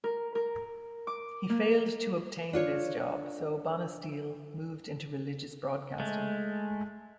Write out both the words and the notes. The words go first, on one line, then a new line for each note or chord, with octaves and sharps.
He failed to obtain this job, so Bonisteel moved into religious broadcasting.
A#4
A#4
D6
A#3
D4 F4 C#5
G#3 A3